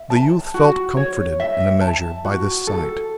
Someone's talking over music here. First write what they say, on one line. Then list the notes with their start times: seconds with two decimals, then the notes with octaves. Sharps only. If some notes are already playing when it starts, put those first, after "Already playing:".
The youth felt comforted in a measure by this sight.
Already playing: E5
0.10 A5
0.54 F#4
0.97 C#5
1.40 E5
1.81 A5
2.25 F#4
2.67 A4